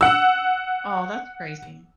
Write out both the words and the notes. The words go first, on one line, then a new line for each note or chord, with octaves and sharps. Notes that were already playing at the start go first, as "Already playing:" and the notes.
Oh, that's crazy.
F#5 E6